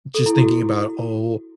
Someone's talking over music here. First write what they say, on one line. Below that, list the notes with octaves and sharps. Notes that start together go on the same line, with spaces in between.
just thinking about, oh,
A4
E4
F#4